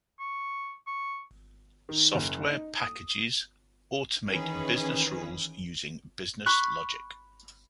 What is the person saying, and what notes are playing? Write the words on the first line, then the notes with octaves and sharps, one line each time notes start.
Software packages automate business rules using business logic.
C#6
C#6
D#3
F#1
D#4
D#6
D#3 E3 C#4 G#4 B4
B5 C#6 F#6